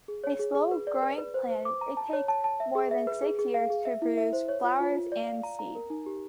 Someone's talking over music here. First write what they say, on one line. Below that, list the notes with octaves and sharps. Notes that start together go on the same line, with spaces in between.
A slow-growing plant, it takes more than six years to produce flowers and seed.
G#4
C#5
G#4
G#4
B4
D5
B4
B4
C5
C5
D6
A#5
A5
C#5
A5
A5
E5
G#4
E5
B4
G#4
G#4
F5
G#4
E5
E4
E5
C5
C#5
F4
F4
F4
D5
F5
A#5
A#5
A#4
D#4
G4